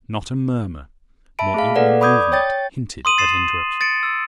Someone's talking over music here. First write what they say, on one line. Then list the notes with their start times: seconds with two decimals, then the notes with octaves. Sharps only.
Not a murmur nor even a movement hinted at interruption.
1.39 E5 A5 B5 D7
1.54 A3 G#4 F5
1.75 A4 B4 D5 F#5
2.00 D5 B5 D6 D#6 G6 G#6
2.32 C#5 G5 A6
3.05 C6 D#6 D#7 F#7
3.18 A6 C7 E7
3.81 A6 C#7 D7
4.03 E6